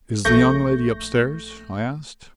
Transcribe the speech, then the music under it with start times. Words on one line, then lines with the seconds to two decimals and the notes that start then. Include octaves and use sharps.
"Is the young lady upstairs?" I asked.
0.25 A#1 A3 C#6 G6 A#6